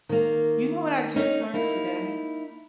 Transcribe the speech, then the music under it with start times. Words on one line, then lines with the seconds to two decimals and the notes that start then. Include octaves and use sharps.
you know what I just learned today?
0.09 D#3 A#3
1.16 C#4 D#4
1.54 A#3 D#4 E4